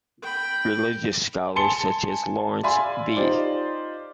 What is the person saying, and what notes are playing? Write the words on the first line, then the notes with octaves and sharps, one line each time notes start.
Religious scholars such as Laurence B.
G5 B5
G#5 A5 C6 C#7 G7
D5 E5 F5 G#5 B5 C6
D#4 F4 G4 C5 D5